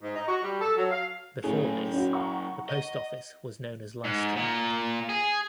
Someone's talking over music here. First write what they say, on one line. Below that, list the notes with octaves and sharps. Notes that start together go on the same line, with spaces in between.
Before this, the post office was known as "Lystra".
G#2
D#4
F#4
G3
A4
F#3
F5
A2 C#3 F#3 G#4
C#4 F#4
F#5 A#5 C#6
D#5
G#2
A#2
G#4